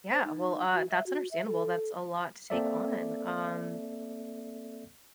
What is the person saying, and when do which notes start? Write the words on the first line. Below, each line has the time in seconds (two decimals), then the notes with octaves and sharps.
Yeah, well, uh, that's understandable, that's a lot to take on, um
0.11 C5
0.24 D#4
0.73 F#4
0.91 E5
1.06 F#4
1.31 E5
1.47 A4
2.50 A#3 C4 A4 D5 E5